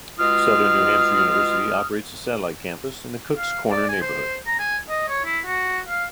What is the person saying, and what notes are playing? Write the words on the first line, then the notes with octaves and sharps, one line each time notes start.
Southern New Hampshire University operates a satellite campus in the Cook's Corner neighborhood.
B2 G#3 F4 D#6 F6
F5
D5
G#5
C5
A#5
G#5
D#5
C#5
E4
F#4
F5